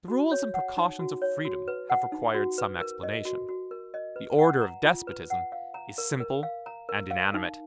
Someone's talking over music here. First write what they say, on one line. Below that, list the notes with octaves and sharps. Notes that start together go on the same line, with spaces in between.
The rules and precautions of freedom have required some explanation; the order of despotism is simple and inanimate.
F#4
C#5
F#5
D#4
F#4
C#5
F#4
B4
F#5
D#4
F#4
B4
A#4
D#5
F#4
F#4
A#4
D#5
B4
F#5
A#5
F4
B4
F#5
F5
A#5
A#4
A#4
F5
A#5
A#4
F5
D#4